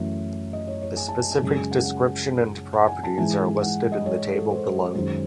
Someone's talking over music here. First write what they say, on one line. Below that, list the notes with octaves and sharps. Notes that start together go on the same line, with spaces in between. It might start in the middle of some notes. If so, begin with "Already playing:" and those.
The specific description and properties are listed in the table below.
Already playing: F#2 E3 A3
D#5
C#5
C#5
G#5
A5
G#5
G#5
F#2 C#3 G#3 G#5
G#5
F#5
F#5
F#5
G#5
A5
G#2 E3 G#3 G#5
F#5
D#5
C#5
A4
C5
F#2 D#3 G#3 C5